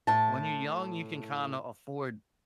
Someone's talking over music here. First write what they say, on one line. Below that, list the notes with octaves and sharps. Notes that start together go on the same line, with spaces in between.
When you're young, you can kinda afford
A2 A5